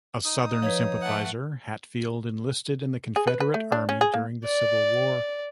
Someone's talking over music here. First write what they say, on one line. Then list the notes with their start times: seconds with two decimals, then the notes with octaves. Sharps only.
A Southern sympathizer, Hatfield enlisted in the Confederate Army during the Civil War.
0.25 D#4 D#6
0.62 F3 B4 C#5
1.01 A3 F#5
3.16 G#4
3.27 B4
3.40 B4
3.54 A3
3.72 D4
3.89 C#4
4.01 G#4
4.14 A#3
4.45 D5